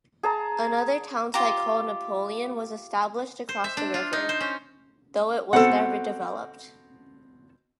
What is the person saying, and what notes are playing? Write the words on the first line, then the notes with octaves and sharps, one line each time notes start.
Another townsite called Napoleon was established across the river, though it was never developed.
G#4 A5 A#5
F4 G4 A#5
C5
E5
D4
F4
D#4
C5
C#4
B2 C4 A4 F#5